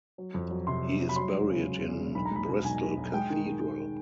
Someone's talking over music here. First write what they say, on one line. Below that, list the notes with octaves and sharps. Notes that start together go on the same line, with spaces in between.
He is buried in Bristol Cathedral.
F#3
F2
F#3
C3 C6
F#3
F#3
B5
F#3 C6
E1
C#3
F#3
E2
E1
B1 B5
A#5
G#3 B5
B2
B1 G#5
B1
B1
G#3 G5
D#3
G#3
D#3